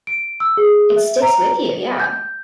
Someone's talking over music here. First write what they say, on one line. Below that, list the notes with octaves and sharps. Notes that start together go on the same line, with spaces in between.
it sticks with you, yeah.
D7
E6
G#4
E5
A#5
B4
G6